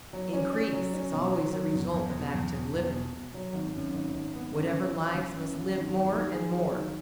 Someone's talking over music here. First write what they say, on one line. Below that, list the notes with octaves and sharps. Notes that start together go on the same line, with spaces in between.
Increase is always the result of active living; whatever lives must live more and more.
F#3
C#4
C#4
F#3
C#4
B2
F#3
F#3
E2
E2
B2
E2
B2
E2
B2
B2
F#3
G#1
F#2
G#1
G#1
B3
F#2
E3
F#2
E3
F#2
E3
G#1
F#3
D#3
G#4
F#3
D#3